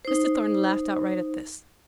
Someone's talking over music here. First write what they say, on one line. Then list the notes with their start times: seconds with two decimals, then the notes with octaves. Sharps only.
Mr. Thornton laughed outright at this.
0.05 D#4 C5